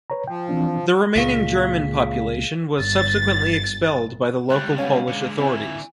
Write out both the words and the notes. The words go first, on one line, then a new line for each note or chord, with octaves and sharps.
The remaining German population was subsequently expelled by the local Polish authorities.
B4 C#5 A#5
F3 G5
E3 C4 D4
C#2 A#2 G#4 F5 B6
G1 A6
C#2 G3 F#6
B3 C#4 F5
D3 G#3
D3 C4 E4 G#5